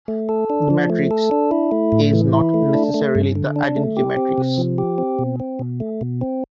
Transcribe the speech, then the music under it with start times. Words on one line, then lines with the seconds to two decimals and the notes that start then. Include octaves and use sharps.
The matrix is "not" necessarily the identity matrix.
0.08 A3
0.29 A4
0.50 D4
0.70 F3
0.90 A3
1.11 A4
1.31 D4
1.51 E4
1.72 A3
1.92 A2
2.13 E3
2.34 E4
2.54 A3
2.74 D4
2.94 A3
3.15 G2
3.35 D3
3.56 D4
3.76 A3
3.97 G4
4.17 C4
4.38 C3
4.58 F3
4.78 G4
4.98 C4
5.19 B2
5.40 C4
5.59 B2
5.80 A3
6.01 B2
6.21 C4